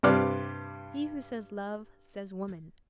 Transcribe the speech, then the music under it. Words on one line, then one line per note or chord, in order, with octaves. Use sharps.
He who says love, says woman.
G2 C3 G4 B4 D5 F6